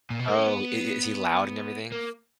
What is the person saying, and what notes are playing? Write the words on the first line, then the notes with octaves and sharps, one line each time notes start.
Oh, i is he loud and everything?
A#2
B2
A#3
C#4
B3
A#3